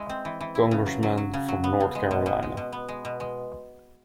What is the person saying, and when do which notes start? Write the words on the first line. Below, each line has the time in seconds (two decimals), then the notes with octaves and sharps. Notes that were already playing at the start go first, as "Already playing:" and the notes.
Congressman from North Carolina.
Already playing: G#3 E4
0.09 C4
0.25 E3
0.41 E3
0.55 E4
0.71 C#3
0.86 F#3
1.03 F#3
1.18 F#3
1.34 C#3
1.48 F#3
1.64 B3
1.80 C#3
1.95 G#3
2.11 B2
2.26 B2
2.43 G#3
2.57 B2
2.72 B3
2.88 G#3
3.05 B2
3.20 G#3